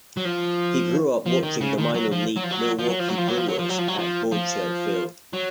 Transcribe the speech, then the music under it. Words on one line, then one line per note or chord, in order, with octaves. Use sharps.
He grew up watching the minor-league Milwaukee Brewers at Borchert Field.
F#3
F3
F3
D#3
C#3
D#3
F#3
F3
F#3
F3
F#3
F3
F#3
F3
F#3
F3
F#3
F3
F#3
F3
F#3
F3
F#3
F3
F3
F#3